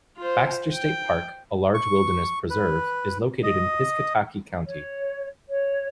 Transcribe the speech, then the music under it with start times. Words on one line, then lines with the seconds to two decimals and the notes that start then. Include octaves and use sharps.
Baxter State Park, a large wilderness preserve, is located in Piscataquis County.
0.17 F4 C5
0.73 G5
1.74 C#6
2.50 B4
3.43 D#5
4.65 C#5
5.49 C#5